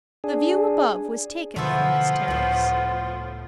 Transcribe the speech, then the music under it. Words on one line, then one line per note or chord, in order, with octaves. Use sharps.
The view above was taken from this terrace.
D4 G#4
B2 D3 E3 F3 A3 B3 E4 F4
C#2 A2 B3